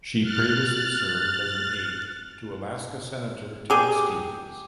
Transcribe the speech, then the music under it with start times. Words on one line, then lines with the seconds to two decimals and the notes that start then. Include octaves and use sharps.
She previously served as an aide to Alaska Senator Ted Stevens.
0.22 F6 F#6 A6
3.70 G4 G#4